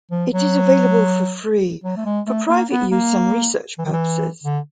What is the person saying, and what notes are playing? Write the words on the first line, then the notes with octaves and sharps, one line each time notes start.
It is available for free for private use and research purposes.
F3
F#3
F#3
A3
G#3
A3
A#3
B3
A#3
E3
D#3
E3
D3